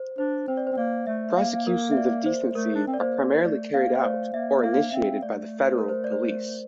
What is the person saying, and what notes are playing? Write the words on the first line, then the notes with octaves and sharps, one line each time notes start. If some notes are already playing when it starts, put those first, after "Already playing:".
Prosecutions of decency are primarily carried out or initiated by the federal police.
Already playing: C5
D4 C5
C4 C5
D5
C5
C4
A#3 D5
A3 E5
A#3 F5
A#4
E5
D5
C5
A3 A#4
D4
C4
D5
A#3 C5
A3 D5
A#3 F5
C5
A3 D5
A#3 E5
A#3 F5
C4 E5
A3 D5
C5
A#4
C5
D5
C5